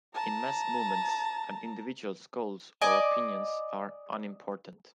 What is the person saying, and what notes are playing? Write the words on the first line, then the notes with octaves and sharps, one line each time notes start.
In mass movements, an individual's goals or opinions are unimportant.
A5 A#5
D5 D#5 G#5